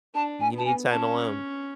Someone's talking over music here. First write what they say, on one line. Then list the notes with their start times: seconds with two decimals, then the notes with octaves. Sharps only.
You need time alone.
0.14 D4 A5
0.40 G#5
0.53 B3 A5
0.65 G#5
0.90 C#4 A5